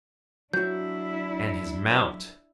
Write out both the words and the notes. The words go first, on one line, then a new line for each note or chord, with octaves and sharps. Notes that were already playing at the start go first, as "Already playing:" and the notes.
And his mount!
F#3 D4 E4 F#4 G6